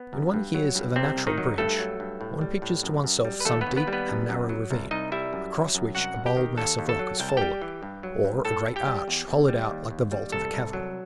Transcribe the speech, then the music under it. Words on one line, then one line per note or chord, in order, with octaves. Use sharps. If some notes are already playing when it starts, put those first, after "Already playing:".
When one hears of a natural Bridge, one pictures to one's self some deep and narrow ravine, across which a bold mass of rock has fallen; or a great arch hollowed out like the vault of a cavern.
Already playing: B3
F#2
G2
F#3
G2
C2 C3 C4
C2
D#3 D#4
F#3
G2 A3 A4
F#3
G2
A2
G3
A2
F#2
F#2
G3
B4
D#2 A3 A4
B3 B4
D#2
B3 B4
G3
B3 B4
F#2
F#2
F#3
C2
C2 D#4 D#5
G3 E4 E5
F#2
F#3
F#2
C2 F#4 F#5
C2
G4 G5
D#3
D#2 A4 A5
D#2
A4 A5
F#3
C2 G5
A5
G3 G4 G5
E3
G2
F#3
G2
A2 A4 A5
A2
G4 G5
G3
E2
E2
G3
D#2
D#2
G3
C2 A4 A5
C2
F#3